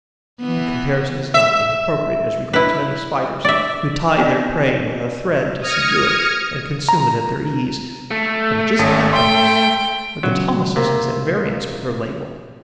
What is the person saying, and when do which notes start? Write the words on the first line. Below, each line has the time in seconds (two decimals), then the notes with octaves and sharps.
The comparison is not inappropriate as regards many Spiders who tie their prey with a thread to subdue it and consume it at their ease; but it just happens that the Thomisus is at variance with her label.
0.40 E3 B3
1.34 E5
2.53 E4 B4
3.45 D5 E5
4.18 B3 C4 D5 D#5
5.60 D#6 F6 G#6 A#6 C#7
6.89 A#5
8.11 A3
8.79 G#1 C#4 A5 D#6
9.13 G5 C6
10.23 A#2 C#3 E3 F#3 B3
10.76 C3 A#3